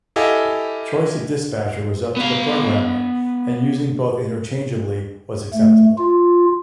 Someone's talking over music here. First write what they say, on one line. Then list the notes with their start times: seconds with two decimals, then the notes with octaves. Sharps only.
Choice of dispatcher was up to the programmer, and using both interchangeably was acceptable.
0.16 E4 G4 A4 D#5 F5 G#5
2.17 B3 F5
5.54 A3
5.98 F4